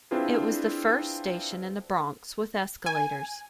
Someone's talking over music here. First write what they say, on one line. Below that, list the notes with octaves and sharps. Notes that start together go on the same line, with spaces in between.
It was the first station in the Bronx with escalators.
C4 D4 E4 F4 G#4 B4
G#5